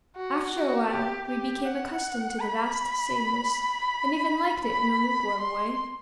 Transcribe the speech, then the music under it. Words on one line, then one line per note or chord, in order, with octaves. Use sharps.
After a while we became accustomed to the vast sameness, and even liked it in a lukewarm way.
F#4
F#4
G4
G4
F#5
B5
B5
C6